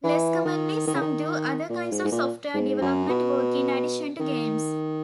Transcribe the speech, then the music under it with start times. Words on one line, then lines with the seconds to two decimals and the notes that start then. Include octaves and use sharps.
Less commonly, some do other kinds of software-development work in addition to games.
0.04 E3
0.45 D#3
0.87 D#3
0.95 C#3
1.01 D#3
1.70 A#2
1.91 G#2
2.04 G#2
2.12 A#2
2.54 G#2
2.81 F#2
3.09 B2
4.20 D#3